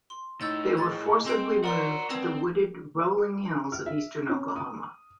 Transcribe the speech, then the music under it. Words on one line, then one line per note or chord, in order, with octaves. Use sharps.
They were forcibly moved to the wooded, rolling hills of eastern Oklahoma.
C6
A2 D#4 E6 G6 A6
G#3 G#6 A6
C4 C6 G6 D7
A#4 D5 F#5 A#5 C6
B3 C4 A5 D#6 G#6
F6
E5
C#4
D#6